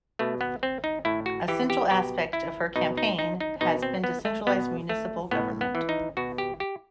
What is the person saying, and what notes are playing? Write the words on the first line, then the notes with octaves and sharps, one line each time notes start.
A central aspect of her campaign has been to centralize municipal government.
B2 A3
B3
C4
D#4
A2 E4
F#4
E3 G4
G4
B2 G4
E4
B2 D#4
D#4
D#4
D#4
B2 D#4
C4
B3
A3
B2 B3
A3
A2 B3
B3
E3
D#4
B2 F#4
G4
G4